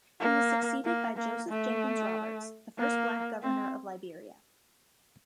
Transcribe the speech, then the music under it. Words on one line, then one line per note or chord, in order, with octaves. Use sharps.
He was succeeded by Joseph Jenkins Roberts, the first black governor of Liberia.
A#3
A#3
A#3
A3
A#3
C4